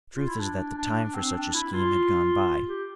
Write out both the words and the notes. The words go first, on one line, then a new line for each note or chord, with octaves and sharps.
The truth is that the time for such a scheme had gone by.
F4
E4
D4
D4
D4
C4
D4
E4
F4
G4